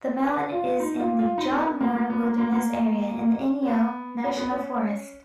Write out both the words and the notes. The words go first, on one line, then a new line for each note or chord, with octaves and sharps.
The mountain is in the John Muir Wilderness Area in the Inyo National Forest.
B4
F4
D#4
F4
F4
D#4
B3
B3
A#3
A#3
B3
A#3
A#3
A#3
C#4
B3
C#4
B3
C#4